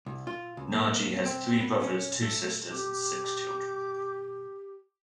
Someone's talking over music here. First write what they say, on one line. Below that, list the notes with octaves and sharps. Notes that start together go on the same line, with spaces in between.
Najee has three brothers, two sisters and six children.
C2
F4
C#2
A#3
C4
B3
C#4
A3
G4 D6